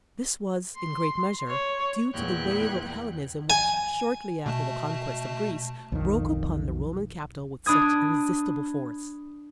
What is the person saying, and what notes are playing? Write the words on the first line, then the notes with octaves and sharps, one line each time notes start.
This was, in great measure, due to the wave of Hellenism which, shortly after the conquest of Greece, broke upon the Roman capital with such irresistible force.
C6
C#5
E2 A#2 G5 F#6 G#6
G#5
B2 A3 A5
B1 F2 D#3
D4 B5 D#6 G#6